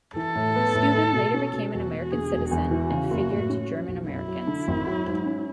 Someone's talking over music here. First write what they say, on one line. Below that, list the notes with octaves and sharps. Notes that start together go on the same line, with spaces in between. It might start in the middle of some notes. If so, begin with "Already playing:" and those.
Steuben later became an American citizen and figure to German Americans.
E3 A4
A2
B3
A2
A3
B2
C#4
B2
E2 F#4
E1
D3 G#4
E1
E2 F#4
E3
C#3
F#1
A2
C#4
F#3
B1
F#2 E4
F#3
D3
G#1
F#3
G#2
C#4